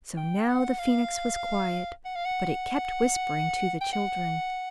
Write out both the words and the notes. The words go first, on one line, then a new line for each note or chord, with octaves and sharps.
So now the Phoenix was quiet, but it kept whispering to the children.
G5
F#5
F5
F#5
F5
F#5
G5
F#5